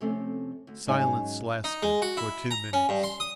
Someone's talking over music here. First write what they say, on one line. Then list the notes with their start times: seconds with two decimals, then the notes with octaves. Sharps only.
Silence lasted for two minutes.
0.01 F2 C3 A3 C4 C#4
0.67 D2
0.87 G#2 F#3 C#4 D#4 G#5
1.64 D#4
1.83 G#3
2.02 F#4
2.17 E4
2.51 A#5
2.73 C#4
2.89 G2
3.04 C6
3.20 D#6